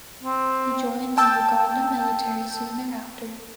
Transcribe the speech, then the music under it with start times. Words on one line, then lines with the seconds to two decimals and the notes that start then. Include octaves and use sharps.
He joined the Uganda Military soon thereafter.
0.23 C4
1.17 G5 A5 E6 G6